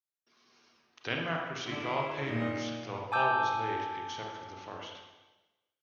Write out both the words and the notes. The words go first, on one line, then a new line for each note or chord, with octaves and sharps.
Denmark received all payments, though always late except for the first.
D3 E4
A#2 D#4
G#5 A5 D6 E6 G6